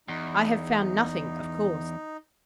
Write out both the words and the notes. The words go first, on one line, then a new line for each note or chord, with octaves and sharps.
I have found nothing, of course.
E2 D#4